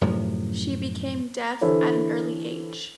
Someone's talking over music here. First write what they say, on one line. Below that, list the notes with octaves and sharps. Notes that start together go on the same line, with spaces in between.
She became deaf at an early age.
F#2 A2 C3 F3
D3 E3 E4 A4 C5 C#5